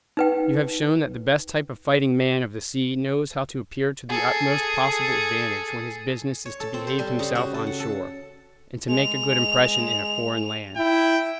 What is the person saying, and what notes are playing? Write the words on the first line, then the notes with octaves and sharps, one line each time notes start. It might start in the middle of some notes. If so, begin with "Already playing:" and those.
You have shown that the best type of fighting man of the sea knows how to appear to the utmost possible advantage when his business is to behave himself on shore, and to make a good impression in a foreign land.
D#4 B4 G5
G#4 A4
C#5
A4
C4
C5
G3
C#3
F#4
A4
F#5
A4
G#3 F7
E4 G5